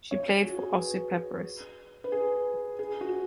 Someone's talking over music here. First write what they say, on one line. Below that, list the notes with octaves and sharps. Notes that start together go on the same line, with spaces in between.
She played for Aussie Peppers.
C#5
G#4
F#4
G#4
B4
B4
G#4
G#4
F#4